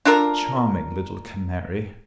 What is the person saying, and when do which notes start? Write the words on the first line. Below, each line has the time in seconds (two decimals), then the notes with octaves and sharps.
Charming little Canary!
0.05 D4 F4 A4 A#4